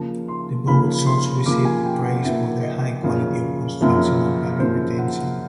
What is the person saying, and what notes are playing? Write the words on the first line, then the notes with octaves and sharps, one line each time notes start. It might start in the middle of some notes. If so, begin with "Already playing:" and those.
The boats also received praise for their high quality of construction and value retention.
Already playing: C#3 F3 A#3 A5
C6
C#3 F3 A#3 B5
C6
C#3 F3 A#3 D6
G#5
G5
F#5
C#3 F3 A#3 E5
D#5
F#2 C#3 F3 A#3
F#2 C#3 F3 A#3
F#2 C#3 F3 A#3 C5
F#5